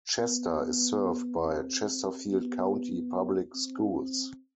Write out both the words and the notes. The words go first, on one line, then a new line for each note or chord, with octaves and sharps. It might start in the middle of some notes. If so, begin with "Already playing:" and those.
Chester is served by Chesterfield County Public Schools.
B3
B3
C4
B3
C4